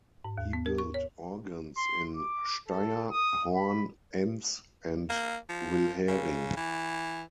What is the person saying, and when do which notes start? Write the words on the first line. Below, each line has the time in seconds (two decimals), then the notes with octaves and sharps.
He built organs in Steyr, Horn, Enns, and Wilhering.
0.24 G#2
0.38 D#2
0.53 B3
0.66 A#4
0.78 C#6
0.94 C#5
1.77 C6
2.16 D6
2.68 A4
3.10 D#6
3.56 B5
5.09 A#3
5.49 F3
6.08 C#3
6.56 E3